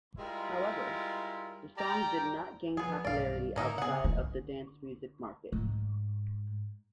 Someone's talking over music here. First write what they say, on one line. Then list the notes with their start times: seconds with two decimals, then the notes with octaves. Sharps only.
However, the song did not gain popularity outside of the dance music market.
0.18 G3 G#3 E4 F4 A#4
1.77 G3 D5 G5 A#5
2.77 F3 B3 G#4
3.05 B1 G2 D#3 D5 F5
3.56 A2 D3 A#3 D#4 E4
3.78 C#3 B3 G#4 F#5
4.04 D3
5.52 G#2